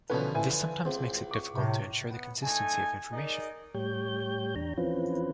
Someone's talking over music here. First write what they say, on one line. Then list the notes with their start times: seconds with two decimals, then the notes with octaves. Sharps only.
This sometimes makes it difficult to ensure the consistency of information.
0.10 B2 D3 E3 F3 C#4 B4
0.35 E4 B4 G#5
0.85 C#2 C4
1.31 C#6 D6
1.53 A2 C3
2.09 B3
2.42 A3 D#4 G#5
3.12 D#4 G#4 A#4 D5 D#5
3.74 A2 G3 G4 C#5 G6
4.56 E2 D4 A#5
4.77 E3 F3 C4 C#4 F4 B4